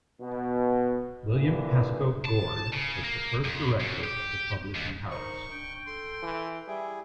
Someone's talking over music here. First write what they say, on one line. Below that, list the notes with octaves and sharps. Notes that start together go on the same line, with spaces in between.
William Pascoe Goard was the first director of the publishing house.
B2
G2 A#2 D3 E3
A5
C#3
A#3
F2
F#2
G4
D#2
D#3 C5 C#6
D4 G5
A4 C6
E3
G3 E4 G#4 E5